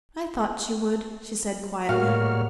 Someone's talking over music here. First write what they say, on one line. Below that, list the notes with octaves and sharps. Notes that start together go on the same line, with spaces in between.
"I thought you would," she said quietly.
A2 G3 G#3 A#3 F#4 C#5 F5 F6